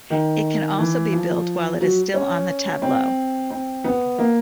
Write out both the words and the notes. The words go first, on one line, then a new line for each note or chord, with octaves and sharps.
It can also be built while it is still on the tableau.
D#3
E3
F3
F#3
C#4
C4
C4
B3
A#3